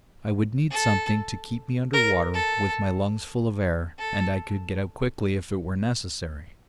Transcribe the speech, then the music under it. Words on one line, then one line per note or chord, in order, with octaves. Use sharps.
I would need something to keep me under water, with my lungs full of air, and I could get out quickly if it were necessary.
A4
A#4
A4
A4